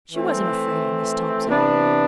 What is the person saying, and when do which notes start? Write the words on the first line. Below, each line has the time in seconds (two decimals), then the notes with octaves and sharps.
She wasn't afraid of Miss Thompson.
0.12 E3 A3 C4
1.46 C3 E3 B3 D4